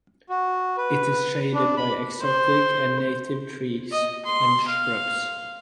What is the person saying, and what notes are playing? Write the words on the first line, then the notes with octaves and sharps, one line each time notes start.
It is shaded by exotic and native trees and shrubs.
F#4
B4
D4
B5
C5
D#5
C6
F5